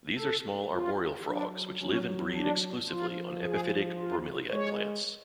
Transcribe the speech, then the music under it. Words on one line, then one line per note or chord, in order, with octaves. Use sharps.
These are small arboreal frogs which live and breed exclusively on epiphytic bromeliad plants.
A4
F4
F#3 D4
F#3 C#4
D4
F3 F4
G#4
F4
G#3 C#5